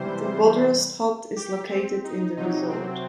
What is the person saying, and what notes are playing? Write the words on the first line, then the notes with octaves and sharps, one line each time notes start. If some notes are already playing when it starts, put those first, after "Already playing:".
The Bodrost hut is located in the resort.
Already playing: C3 E3 G3 C5
G4
C4
D#4
C3 F#3 D#4
C4